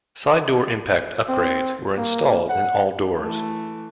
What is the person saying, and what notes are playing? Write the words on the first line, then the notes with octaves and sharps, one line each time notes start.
Side door impact upgrades were installed in all doors.
C4
A#3
F#5
E3 A3